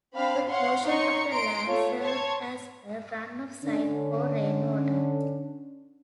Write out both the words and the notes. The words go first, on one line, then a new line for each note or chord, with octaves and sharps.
A portion of the land served as a run-off site for rainwater.
C4 D4 F5 B5
C#5 F5 F#5 C6
D#4 C#5 C6 C#6 C#7
A#5 C6 D7
A3 F4 C#5
C#5 A5 C6 G#6
D3 C#4 D4